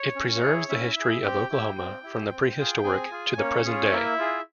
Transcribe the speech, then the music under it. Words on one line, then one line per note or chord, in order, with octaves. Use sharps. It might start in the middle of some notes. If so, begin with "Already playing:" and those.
It preserves the history of Oklahoma from the prehistoric to the present day.
Already playing: C#5
C#4
E4 G#4
C#4 E4 E5
E4 G#4
C4 G4 G5
E4 G4
C4
E4 G4
C4
F4 G#4
C4 G#4 G#5
F4 G#4
A#3 C#4 C#5
F4 G#4
A#3 E4 E5
F4 G#4